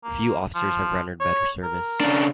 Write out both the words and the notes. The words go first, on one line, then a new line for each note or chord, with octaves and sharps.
Few officers have rendered better service.
A#3
F3
C#5
A#4
C#3 D4